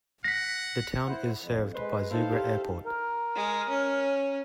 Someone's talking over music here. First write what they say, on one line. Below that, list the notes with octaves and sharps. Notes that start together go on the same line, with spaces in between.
The town is served by Zougra Airport.
F#5 A#6 B6
E4 C5 F#5
F2
G#3 B4 C5
D#4 E4 A4 C5 F5
G4
A#4
G#3
C#4